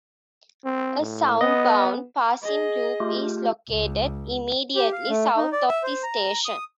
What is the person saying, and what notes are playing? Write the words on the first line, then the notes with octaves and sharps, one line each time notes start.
A soundbound passing loop is located immediately south of the station.
C4
A2
B3 D#5
G#4 D#5
A3 F4 G4
C#2
G4
F5
A3
D#4
D5
E5
C5
A#5
D#6